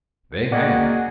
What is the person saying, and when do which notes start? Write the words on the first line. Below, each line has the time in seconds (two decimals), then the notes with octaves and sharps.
They had.
0.52 A#3 F#4 G#4 D5 D#5 F#5 G5